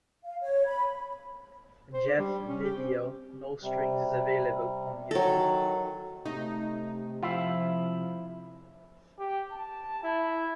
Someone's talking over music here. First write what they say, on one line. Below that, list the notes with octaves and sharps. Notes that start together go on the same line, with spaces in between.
Jeffs video "No Strings" is available on YouTube.
F5
C#5
B5
C5
D4
G3
C#4
G4
C4
C3 G3
D#3 F#3 A4
C3 A3 D#4
F3 E4 E5 F5
G4
A5
E4